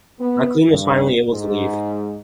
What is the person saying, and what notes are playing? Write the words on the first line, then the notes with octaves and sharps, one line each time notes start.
Maclean was finally able to leave.
B3
G2
G#2